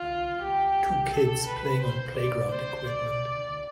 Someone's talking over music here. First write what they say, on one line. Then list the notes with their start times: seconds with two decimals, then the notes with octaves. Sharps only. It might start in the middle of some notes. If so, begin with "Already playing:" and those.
Two kids playing on playground equipment.
Already playing: F4
0.42 G4
1.12 A4
1.47 B4
1.82 C5
2.17 D5
2.51 C5
2.86 D5